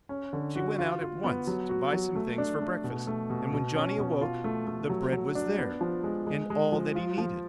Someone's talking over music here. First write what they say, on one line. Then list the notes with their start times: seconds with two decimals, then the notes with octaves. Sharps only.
She went out at once to buy some things for breakfast; and when Johnny awoke, the bread was there, and all that he needed!
0.09 C#4
0.33 D3
0.56 F#4
0.79 F4
1.01 F4
1.24 B3
1.47 F#3
1.69 F#4
1.93 F#3
2.15 A3
2.38 D4
2.61 A3
2.84 B2
3.07 A3
3.30 B2
3.53 B2
3.75 C#4
3.98 B2
4.21 F4
4.44 A3
4.67 A3
4.89 F#3
5.12 F#3
5.35 D4
5.58 B3
5.81 F3
6.04 G#3
6.27 G#3
6.50 G#3
6.72 F3
6.95 F4
7.18 F3